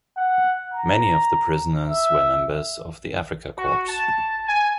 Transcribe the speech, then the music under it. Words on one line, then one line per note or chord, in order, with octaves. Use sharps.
Many of the prisoners were members of the Afrika Korps.
F#5
A#5
E5
F#4
A5
G#5